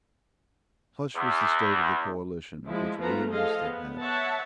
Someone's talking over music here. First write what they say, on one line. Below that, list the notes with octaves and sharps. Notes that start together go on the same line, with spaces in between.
Such was the state of the coalition of which William was the head.
E2
F3 G#3 E4
F3 A3 B3 F4 B4 A#5
F3 G#4 A4 D#5 F5
B3
C#5 E5 F#5 A5